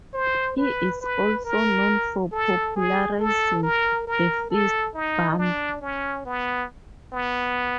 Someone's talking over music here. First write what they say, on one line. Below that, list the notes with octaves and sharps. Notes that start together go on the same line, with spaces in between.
He is also known for popularizing the fist bump.
C5
B4
B4
A#4
A4
G#4
A4
A#4
A#4
A4
D#4
D4
C#4
B3
B3